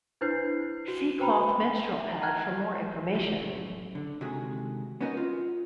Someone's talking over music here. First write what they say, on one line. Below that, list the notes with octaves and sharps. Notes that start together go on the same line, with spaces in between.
See cloth menstrual pad for more information.
D4 E4 B4 C5 G6 C7
F#4
B4 C5 G5 A#5 B5
E5
F#5 A5 A#5 F6 F#6 G#6
E3 F3 G4 E5
F#2 A2
D3
C3 D#3 G#3 A3 F#4 G#4
B3 C#4 D#4 F#4 A#4 D#5
F4